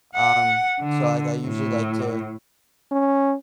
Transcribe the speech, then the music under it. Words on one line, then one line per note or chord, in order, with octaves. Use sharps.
Um, so, like, I usually like to,
F#5
D3
A2
C#4